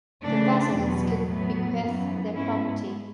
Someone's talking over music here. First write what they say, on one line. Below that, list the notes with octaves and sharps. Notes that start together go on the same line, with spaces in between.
The vassals could bequeath their property.
C#3 E3 A3 D4
E2 B2 F#3 B3
A2 F#3 B3
F#2 E3 B3
G#2 G#3 B3 C#4 E4